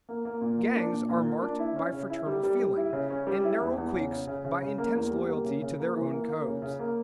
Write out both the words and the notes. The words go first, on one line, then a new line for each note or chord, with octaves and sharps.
Gangs are marked by fraternal feeling, and narrow cliques by intense loyalty to their own codes.
A#3
A#3
A#2
A#3
D4
A#2
A#2
A#3
D4
E4
C#4
C#3
E4
G3
G3
G3
E4
C#3
C#4
G3
E4
E2
E2
C#3
C#3
C#3
C#3
C#3
A#3
E2
G3
A#3
C#3
C#3
A#3
E3
A#3
A#3
C#3
C#3
A#3